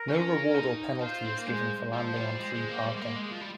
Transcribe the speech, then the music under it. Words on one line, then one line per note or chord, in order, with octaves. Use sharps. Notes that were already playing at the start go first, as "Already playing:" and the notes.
No reward or penalty is given for landing on Free Parking.
Already playing: A#4
C#4
D#4
F4 C5
C4
A#3
G#3 C5
F3 C5
G3
G#3
G#3
A#3
G3
G#3
A#3
G#3
F3
G3